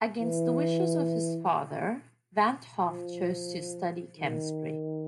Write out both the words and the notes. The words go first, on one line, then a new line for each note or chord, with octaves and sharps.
Against the wishes of his father, Van 't Hoff chose to study chemistry.
E3
F3
D#3